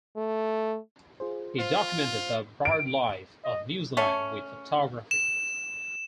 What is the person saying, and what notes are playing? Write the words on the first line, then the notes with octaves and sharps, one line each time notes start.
He documented the birdlife of New Zealand with photography.
A3
F4 G#4 C5
F4 C5
D7
D#5
A3 C#4
E7